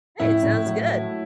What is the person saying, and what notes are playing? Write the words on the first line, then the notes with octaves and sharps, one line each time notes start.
Hey, it sounds good.
A2 E4
A2
F#3
A3